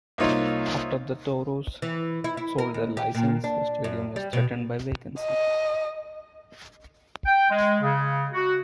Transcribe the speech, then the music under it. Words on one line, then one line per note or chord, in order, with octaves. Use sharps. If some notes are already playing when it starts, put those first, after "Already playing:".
After the Toros sold their licence, the stadium was threatened by vacancy.
C2 A#3 D#4 F4 C#5
E3
E4
E4
A#4
D#2
G4
A#2
D4
F#2
G3
B2
D#5
G5
G#3
C#3
F#4